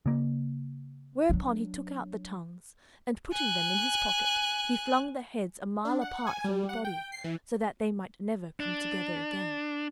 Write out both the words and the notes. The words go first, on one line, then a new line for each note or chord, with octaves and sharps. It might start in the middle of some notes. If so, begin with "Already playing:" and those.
Whereupon he took out the tongues, and putting them in his pocket, he flung the heads a mile apart from the body, so that they might never come together again.
C#3 A#3
F#3 D4
G#5 F#6
D4
F#5
G#5
G3
F#5
G5
C7
E3
D4